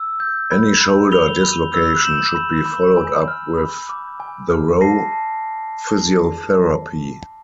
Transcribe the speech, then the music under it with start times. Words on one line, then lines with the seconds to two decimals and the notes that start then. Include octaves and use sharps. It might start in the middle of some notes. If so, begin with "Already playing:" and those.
Any shoulder dislocation should be followed up with thorough physiotherapy.
Already playing: E6
0.20 G6
0.51 B5
0.81 B5
1.12 B5 F7 G7
1.43 B5
1.74 E6
2.04 G6 E7 F#7
2.35 B5
2.65 B5
2.97 G#5
3.28 F6
3.58 B5
3.89 D6
4.20 G#5
4.50 F6
4.81 A5 A#6 C7
5.12 A5